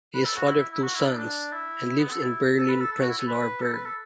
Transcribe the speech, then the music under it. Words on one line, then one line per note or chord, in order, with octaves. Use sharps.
He is father of two sons and lives in Berlin-Prenzlauer Berg.
B4
A4
F#4
E4
E4
F#4
E4
D4
E4
D4
E4
E4
B3
A4
E4
A4
B4
A4
A4
F#4
E4
A4
B4
A4
B4
A4